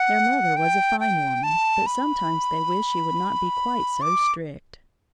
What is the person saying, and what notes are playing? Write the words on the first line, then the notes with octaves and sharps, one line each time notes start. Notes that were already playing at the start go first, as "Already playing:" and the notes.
Their mother was a fine woman, but sometimes they wished she would not be quite so strict.
Already playing: F#5
G5
G5
A5
B5
D6